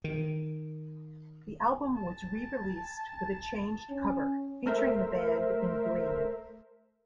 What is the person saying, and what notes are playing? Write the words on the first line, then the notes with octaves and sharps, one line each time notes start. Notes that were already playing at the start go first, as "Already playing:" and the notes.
The album was re-released with a changed cover, featuring the band in green.
D#3
A5
C#4
A3 A#4 C5 E5